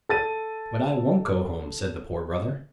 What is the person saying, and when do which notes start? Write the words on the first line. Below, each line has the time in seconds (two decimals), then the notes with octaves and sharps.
"But I won't go home," said the Poor Brother.
0.09 A4 A6 D#7